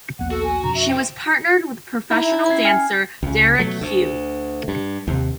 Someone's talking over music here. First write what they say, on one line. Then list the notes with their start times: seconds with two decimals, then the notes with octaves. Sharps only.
She was partnered with professional dancer Derek Hough.
0.19 A#1 D#2 B3 F#5
0.31 F#4 A4
0.44 G#5
0.63 F2 B2 D3 A#5
0.75 E5
0.90 E4 C5 G5
2.11 D#4 E4 E5 A#5
2.50 C#4 G#6 C7
2.65 G5 G#5 F6
3.23 C#2 C#3
3.59 B2 F#3 A3
3.81 D2
4.68 G2
5.07 D#2 C3